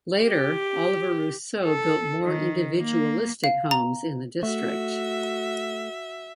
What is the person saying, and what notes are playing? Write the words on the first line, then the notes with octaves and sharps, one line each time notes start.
Later, Oliver Rousseau built more individualistic homes in the district.
G4
A4
D#3
A#3
F5
A#5
A3 F#4 E5